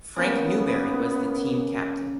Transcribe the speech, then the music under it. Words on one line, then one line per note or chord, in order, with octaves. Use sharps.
Frank Newberry was the team captain.
C#3 A#3 B3